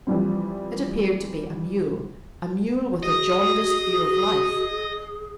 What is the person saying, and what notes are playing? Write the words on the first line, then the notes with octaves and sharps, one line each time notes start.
It appeared to be a mule--a mule with a jaundiced view of life.
E3 F3 G3 C4
F#4 G#4 D#5 D#6